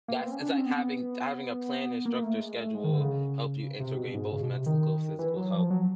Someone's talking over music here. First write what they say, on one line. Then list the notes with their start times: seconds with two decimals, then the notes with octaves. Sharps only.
That's it's like having having a plan instructor schedule help you integrate both mental and physical health
0.08 A#3
0.17 B3
0.24 C4
0.32 C#4
0.40 D4
0.49 C#4
0.57 C4
0.66 B3
2.05 A#3
2.23 A3
2.40 G#3
2.58 A3
2.75 G#3
2.84 D#3
2.93 D3
3.01 C#3
3.80 C3
3.97 B2
4.14 G#2
4.32 C#3
4.42 B2
4.49 C3
4.66 D#3
5.19 E3
5.36 F#3
5.53 F3
5.70 F#3